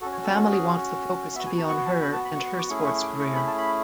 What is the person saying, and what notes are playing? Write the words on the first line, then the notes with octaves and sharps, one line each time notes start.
The family wants the focus to be on her and her sports career.
C#4 F#4 A4
C#5
A4
A4
G#4
B3 F#4 E5
G#5
A5
C#6
A5
B5
A5
B5
C#6
C#6
D6
A3 C#4 E4 G#4 C#6
C#6
D6
C#6
B5
A5
B5